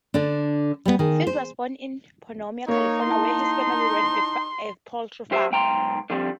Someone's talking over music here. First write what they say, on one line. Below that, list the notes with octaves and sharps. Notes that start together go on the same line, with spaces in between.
Field was born in Pomona, California, where his family ran a poultry farm.
D3 D4
G3 B3
D#3 G#4
C5
A#3 D#4 C#5
E4 A5 C6
F#2 G4 C5 E5
B1 G#2 G5 A#5 C6
D3 F3 G3 C4